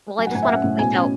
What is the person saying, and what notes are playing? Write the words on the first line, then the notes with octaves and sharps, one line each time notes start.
well, I just wanna point out
F#3 G#5
F#5
A2 G#5
E5
C#4 F#5
A2
B2 G#5
C#4